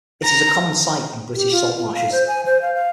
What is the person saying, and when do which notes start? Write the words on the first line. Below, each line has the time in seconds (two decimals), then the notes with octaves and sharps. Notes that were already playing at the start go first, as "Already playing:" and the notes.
It is a common sight in British salt marshes.
0.24 A#5
1.36 G4
1.51 F4
1.78 F4
1.94 F5
2.12 C5
2.28 G#5
2.46 C5
2.62 F5
2.75 F5